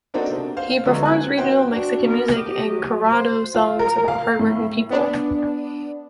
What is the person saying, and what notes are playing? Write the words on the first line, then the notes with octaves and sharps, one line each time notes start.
He performs regional Mexican music and corrido songs about hardworking people.
A#3 C4 D4 D#4 F#4 A4
C3
C5 F5
D3 F3 F#3 G#3 B3 C#4
G#5 F#6 G#6
B3 D#4 F#4 C5 G5
D4 F#4
B3 A#4
G4 D#5
F#3
C5
F4
A#4
F5
A2
B3 D4